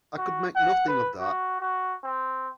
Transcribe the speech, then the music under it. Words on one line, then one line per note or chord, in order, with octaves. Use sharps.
I could make nothing of that.
F#4
F#5
B4
F#4
F#4
C4